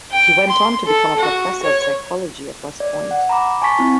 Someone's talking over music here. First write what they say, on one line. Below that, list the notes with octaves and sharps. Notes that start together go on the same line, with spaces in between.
He went on to become a professor of psychology at West Point.
G5
C6
A4
F#4
C#5
D5
F#5
A#5 B5 D6
G#5 A5 C#6 B6
C4 E4 B6